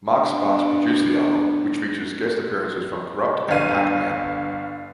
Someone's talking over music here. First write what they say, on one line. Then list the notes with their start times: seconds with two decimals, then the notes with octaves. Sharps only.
Mark Sparks produced the album, which features guest appearances from Kurupt and Pakman.
0.10 B3 D4
3.49 G1 D3 F5 D#7